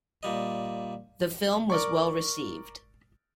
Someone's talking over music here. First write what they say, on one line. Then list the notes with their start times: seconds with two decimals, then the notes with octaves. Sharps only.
The film was well received.
0.23 A#2 G3 D#5
1.70 A#4 D5 C#6